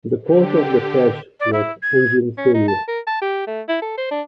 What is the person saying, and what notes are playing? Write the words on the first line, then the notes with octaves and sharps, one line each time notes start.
The cause of the crash was engine failure.
D3 G4
D5
E4
G#6
C#4
D#4
A5
A#4
A5
G4
A3
E4
A4
C5
D4